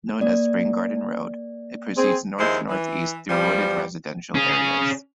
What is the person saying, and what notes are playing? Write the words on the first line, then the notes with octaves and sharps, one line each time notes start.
Known as Spring Garden Road, it proceeds north-northeast through wooded residential areas.
A#3 D5
C4 G#4
D#2 F3 G#3 E4 C5
E3
E2 F3 G3
C#4 G#4